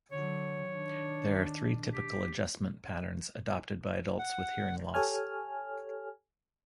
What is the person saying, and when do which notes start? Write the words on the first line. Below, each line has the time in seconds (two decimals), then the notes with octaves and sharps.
There are three typical adjustment patterns adopted by adults with hearing loss.
0.12 D3 F#3 C#5
0.69 D#3 D4
1.93 G4
4.19 F#5
4.94 G4 A4 C#5 G#5 F6